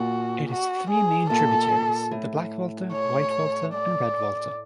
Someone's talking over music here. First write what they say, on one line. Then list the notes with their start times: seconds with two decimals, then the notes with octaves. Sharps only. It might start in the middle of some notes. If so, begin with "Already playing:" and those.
It has three main tributaries-the Black Volta, White Volta and Red Volta.
Already playing: A#2 F#4
0.49 F#4
0.90 G#4
1.30 A#2 A4
2.11 A2
2.92 C#5
3.74 D5